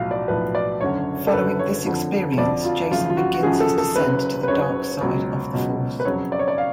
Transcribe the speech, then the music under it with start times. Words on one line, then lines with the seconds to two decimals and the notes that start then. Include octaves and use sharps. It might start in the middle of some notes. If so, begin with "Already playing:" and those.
Following this experience, Jacen begins his descent to the dark side of the Force.
Already playing: B1 A2 F3 F5
0.11 D5
0.28 B1 A2 F3 B4
0.55 D5
0.81 F#1 F#2 D3 C#5
1.27 A4
1.34 F#1 F#2 D3 B4
1.59 C#5
1.86 F2 D3 F3
2.38 F2 D3 F3 D5
2.65 F4
2.91 G#1 F#2 C#3 F3 F4
3.10 F4
3.17 F#4
3.34 F#4
3.43 G#1 F#2 C#3 F3 G#4
3.60 A4
3.78 A4
3.95 F#1 F#2 C#3 F#3 B4
4.43 B4
4.48 F#1 F#2 C#3 F#3 C#5
5.01 C#2 B2 F#3
5.53 C#2 B2 F#3
6.00 B4
6.05 F2 C#3 F#3 C#5
6.32 D5
6.39 C#5
6.48 D5
6.58 F5